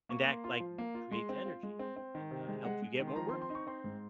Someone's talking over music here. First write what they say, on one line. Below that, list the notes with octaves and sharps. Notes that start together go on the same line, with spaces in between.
and that, like, creates energy and and, uh, helps you get more work done,
A#3 C#6
A#3 C6
F4 C6
F3
A#3
F4
G#3 C6
C4
F4
G#3
C4
C4
D#3
C3
G#3
G#3 F#5
G#3
D#3
C6
F3 A#5
C6
C4
C6
D#4
C#6
C4 C6
G#2